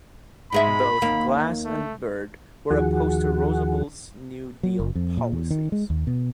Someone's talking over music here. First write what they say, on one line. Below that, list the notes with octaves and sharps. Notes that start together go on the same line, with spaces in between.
Both Glass and Byrd were opposed to Roosevelt's New Deal policies.
G#2 G#3 E5 B5
D#2 A#3
A3
D#2 D#3 F3 F#4 G#4 F#5
F#3
F#1
F2
A#2
E2
D#3
G#3
D#2
B2